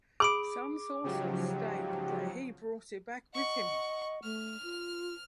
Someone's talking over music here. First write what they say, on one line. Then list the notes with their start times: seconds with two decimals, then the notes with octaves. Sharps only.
Some sources state that he brought it back with him.
0.20 G#4 B5 D6 D7
1.04 G#2 C#3 F3 F#3 G4
3.34 D#5 F#5 C#6
4.23 A3 F6
4.63 F4